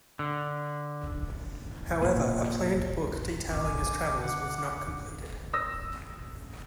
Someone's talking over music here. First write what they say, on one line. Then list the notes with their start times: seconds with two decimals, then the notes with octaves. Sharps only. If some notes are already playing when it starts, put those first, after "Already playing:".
However, a planned book detailing his travels was not completed.
0.19 D3
2.02 A#2
3.50 D#1 G#2 C#4 D6
3.64 A#1 F2 G#5
4.22 D3 F#5
5.53 D#6 E6 A#6